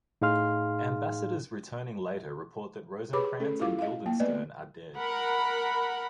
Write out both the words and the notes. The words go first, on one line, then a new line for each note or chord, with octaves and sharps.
Ambassadors returning later report that Rosencrantz and Guildenstern are dead.
A2 D#4 G#4 F5 C6 F6
G4 G#4 B4 C#5 B5 D6
A3 C#4 A4
E4 F4 G4 F5 D6
D#5 F5
A#3 G5
A3 B3 B4 D5 D#5
A#4 F#5 B5